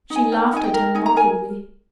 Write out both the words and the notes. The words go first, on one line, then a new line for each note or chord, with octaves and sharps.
She laughed at him mockingly.
D#4
G#5
A#4 G5
D#4 G#5
G5
A#4
D#4 G#5
A#5
A#4 G#5